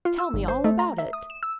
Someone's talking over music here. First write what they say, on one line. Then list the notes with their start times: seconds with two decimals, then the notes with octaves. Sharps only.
Tell me all about it.
0.05 F4
0.19 E6
0.34 G#1
0.48 C5
0.64 A3
0.79 A#5
0.98 E5
1.13 D#6
1.30 E7
1.43 E6